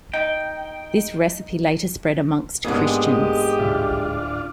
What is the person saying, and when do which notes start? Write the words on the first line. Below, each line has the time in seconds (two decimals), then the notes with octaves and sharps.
This recipe later spread amongst Christians.
0.14 D#4 G5
2.64 G#2 G#3 A#3 B3 D4 G4 D#5
3.59 D1 D4 F4 E5